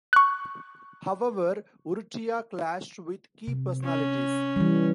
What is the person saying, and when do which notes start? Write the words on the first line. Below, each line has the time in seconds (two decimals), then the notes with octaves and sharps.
However, Urrutia clashed with key personalities.
0.13 C#6 F#6
3.48 C3
3.84 C#4
4.56 E3 G3